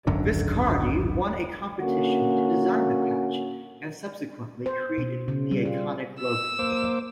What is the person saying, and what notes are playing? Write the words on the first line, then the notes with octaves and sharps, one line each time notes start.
Viscardi won a competition to design the patch, and subsequently created the iconic logo.
D1 G#1 F#2 D3
D3 A#3 C#4 F#4
C5
B2
C#3
G3
F4
E6
A#3 C5 D6